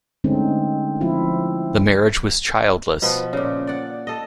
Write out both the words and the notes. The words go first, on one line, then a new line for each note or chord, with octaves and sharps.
The marriage was childless.
D3 G#3 A3 C4 C#4 D#4
F3 C4 E4 F4
B2 F3 B3
A#2 C#3
D5 F#5
A4 D#5